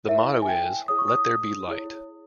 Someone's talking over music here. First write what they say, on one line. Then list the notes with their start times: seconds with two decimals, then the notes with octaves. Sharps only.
The motto is "Let there be Light".
0.08 E4 A#4 C#5 E5
0.42 G#5
0.48 G5
0.88 E4 G#4 C#5 D#6
0.99 C#6
1.08 D#6
1.68 E4 G#4 C#5